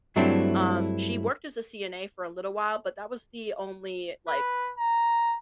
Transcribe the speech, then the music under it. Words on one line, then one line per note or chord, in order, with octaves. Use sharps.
um, she worked as a CNA for a little while, but that was the only, like,
G2 F#3 A3 C4 D4 E4
B4
A#5